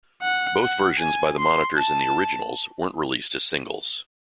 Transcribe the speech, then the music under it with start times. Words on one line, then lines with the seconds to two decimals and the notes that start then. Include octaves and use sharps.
Both versions by the Monitors and the Originals weren't released as singles.
0.22 F#5
0.62 F#5
1.00 G#5
1.38 C6
1.78 A5